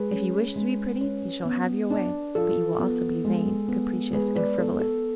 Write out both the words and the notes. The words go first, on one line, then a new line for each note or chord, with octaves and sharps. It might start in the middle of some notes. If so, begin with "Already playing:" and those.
If you wish to be pretty you shall have your way, but you will also be vain, capricious, and frivolous.
Already playing: G#3 G#4 B4
C#4
G#3
C#4
B3
D4
F3 A4
B3
G#3
B3
G#3 G#4 B4
B4 D5
B3 A4
A4